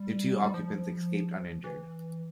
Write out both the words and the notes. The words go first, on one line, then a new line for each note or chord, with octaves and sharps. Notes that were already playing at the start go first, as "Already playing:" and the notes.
The two occupants escaped uninjured.
Already playing: G3
G3
F3
E3